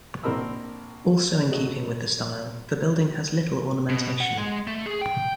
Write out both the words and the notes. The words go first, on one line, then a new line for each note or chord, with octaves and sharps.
Also in keeping with the style, the building has little ornamentation.
A#1 C4 A#4 D#5 B5 E6
F#3 G#3 A3 D#5
B2
F#5
G#3
A3
G#4
G5